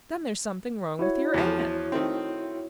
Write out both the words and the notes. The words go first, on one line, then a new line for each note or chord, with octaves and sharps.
"Then there's something wrong with your aunt!"
E4 F#4 C#5
E2 F3
D#3 A3 C4